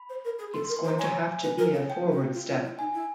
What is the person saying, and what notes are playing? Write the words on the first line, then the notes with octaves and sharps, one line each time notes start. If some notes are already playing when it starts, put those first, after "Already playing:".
It's going to have to be a forward step.
Already playing: B5
C5
A#4
G#4
A4 C6
C6
A#4
C6
C5
A#5
C#5 G#5
B4
A#4
A4
G5
F#4
F4
F4
E4
D#4 G#5
E4